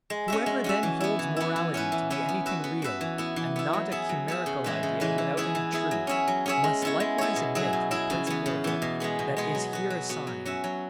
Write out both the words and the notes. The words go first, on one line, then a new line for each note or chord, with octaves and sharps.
Whoever then holds morality to be anything real, and not a chimerical idea without any truth, must likewise admit the principle of it that is here assigned.
G#3
C#4 F#4 E5
G#3
C#4 F#4 E5
E3
B3 E4
E3
B3 E4
E3
C#4 E4 B4
E3
C#4 E4 B4
B3
F#4 B4 E5
B3
F#4 B4 E5
E3
B3 E4
E3
B3 E4
F#3
B3 G#4 E5
F#3
B3 G#4 E5
C#3
E3 G#3 E4 B4
C#3
E3 G#3 E4 B4
E3
B3 E4 G#4
E3
B3 E4 G#4
F#3
C#4 G#4 C#5 E5
F#3
C#4 G#4 C#5 E5
G#3
B3 E4 C#5
G#3
B3 E4 C#5
B2
F#3 E4 G#4
B2
F#3 E4 G#4
C#3
E3 B3
C#3
E3 B3
B2
G#3 B3 G#4
B2
G#3 B3 G#4
F#3
B3 F#4
F#3
B3 F#4
F#3
C#4 F#4 E5
F#3